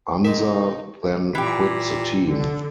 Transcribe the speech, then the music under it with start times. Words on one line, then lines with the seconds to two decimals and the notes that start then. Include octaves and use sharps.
Unser then quit the team.
0.25 C2 G#3 D#4 G4 A#4
1.35 A#2 E3 G4
2.27 D3